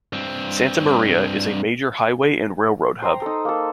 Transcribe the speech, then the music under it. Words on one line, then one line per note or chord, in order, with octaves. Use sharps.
Santa Maria is a major highway and railroad hub.
G2 C4
C5 G5 A#5
D#4 A4
A#3 A4